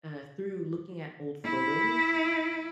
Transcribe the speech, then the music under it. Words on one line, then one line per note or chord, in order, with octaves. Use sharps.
uh through looking at old photos,
E4